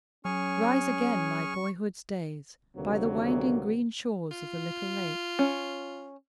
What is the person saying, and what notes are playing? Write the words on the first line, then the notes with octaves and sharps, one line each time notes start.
Rise again, my boyhood's days, by the winding green shores of the little lake.
F#3 C#4 G#4 G#5 C#6 F6
D2 C3 D#3 F#3 A#3 B3
F4
C#4